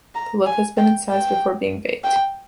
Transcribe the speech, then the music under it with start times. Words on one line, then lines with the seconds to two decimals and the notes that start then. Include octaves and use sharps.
The loaf has been incised before being baked.
0.15 A#5
0.46 G#5
0.78 G5
1.09 G5
2.04 G5